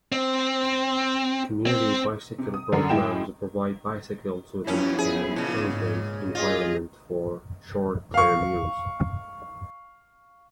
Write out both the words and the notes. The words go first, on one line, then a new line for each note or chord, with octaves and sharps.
Community bicycle programs provide bicycles within an urban environment for short term use.
C4
C4
C3
D#6
F#2 D3 A#4 C7
A2 G#3 E4 G5 E7
F#2 F3 B3 C#4 E4
G#4
A#2 C#3
G#2
F4 G#4 D#5
F5 C#6